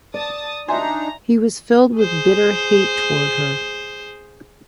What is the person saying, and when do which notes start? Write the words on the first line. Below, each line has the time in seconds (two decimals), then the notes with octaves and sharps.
He was filled with bitter hate toward her.
0.14 D5 A5 D#6 A6
0.68 D4 D#4 E5 G#5 A#5 C6
1.97 G#4 C5